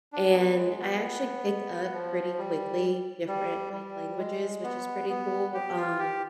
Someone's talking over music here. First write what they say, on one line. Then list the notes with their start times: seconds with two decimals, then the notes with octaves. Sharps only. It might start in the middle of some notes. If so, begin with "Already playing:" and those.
and I actually pick up pretty quickly different, like, languages, which is pretty cool, um,
0.13 D4
0.34 B3
0.57 G#3
0.80 B3
1.93 F3
2.38 G3
3.28 G3
3.73 G3
4.18 G#3
4.64 B3
5.09 B3
5.54 G4
5.77 F4
5.99 G4